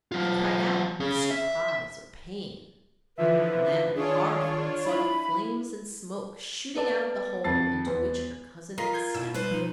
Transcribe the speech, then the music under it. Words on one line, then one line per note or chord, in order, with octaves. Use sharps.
He cried out with surprise or pain. Nan, horrified, saw the flames and smoke shooting out of the hole into which her cousin had stepped.
F#3 F4
C#4 G#4
E5
D3 E3 F3 B4 E5
D#3 D4 F4 G#4 C#5
E4 B5
B3 A4 D5 A5
F2 A5 A6 C7
E2 B3 C5
F4 A#4 D#5 B5 C6
C6 G6 G#6
B2 E4 E6
G3 B4 C5
F3 D#4